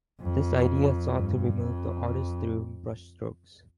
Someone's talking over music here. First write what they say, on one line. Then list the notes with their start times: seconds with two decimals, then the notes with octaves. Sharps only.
This idea sought to remove the artist through brushstrokes.
0.22 F2
1.14 G2
1.60 F2